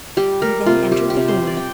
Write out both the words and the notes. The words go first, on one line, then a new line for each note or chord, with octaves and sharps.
He then entered the room.
G3 G4
G3 A#4
C3 F4
G3 G4
G4
C3
C5
C3
D5
G5